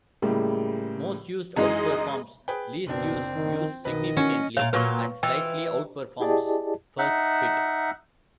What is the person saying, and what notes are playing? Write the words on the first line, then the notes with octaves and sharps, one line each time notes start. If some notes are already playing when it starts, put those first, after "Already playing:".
Most Used outperforms Least Used use significantly, and slightly outperforms First Fit.
A2 C#3 G3 G#3 A#3
F#2 E3 G#3 D#4 G#4 D#5
G#4 B4 G5
F#1 B2 C4 D4
D#3
B1 D#3 D#4 B4 D#5
E3 C#4 F#4
A#2 F#3 C#5 F5
A#2 F#3 F4 B4 F5 C#6
E3 F4 D#5 E5 G5
E4 G4 G#4 D5 D#5 A5
D#4 E5 F#5